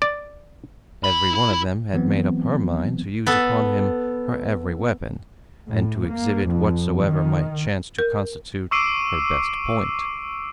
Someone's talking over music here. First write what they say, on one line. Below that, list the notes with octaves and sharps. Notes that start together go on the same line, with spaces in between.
Every one of them had made up her mind to use upon him her every weapon, and to exhibit whatsoever might chance to constitute her best point.
D5
E4 B5
E3 F#3 B3 C4
B3 A4
A2
A#3
F2
D#3
A#4
C#6 D6 E6 C7 D7 D#7